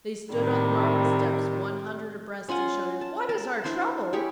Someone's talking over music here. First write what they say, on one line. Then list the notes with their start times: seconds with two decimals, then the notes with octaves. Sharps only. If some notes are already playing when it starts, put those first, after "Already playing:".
They stood on the marble steps one hundred abreast and shouted, 'What is our trouble?
0.33 A2 C3 D#3 G3
2.49 C#4 F4 F#5 G#5
3.01 A5
3.29 A#4 A5
3.64 D4 E4 C5 C6
4.13 E4 G4 G#4 C#5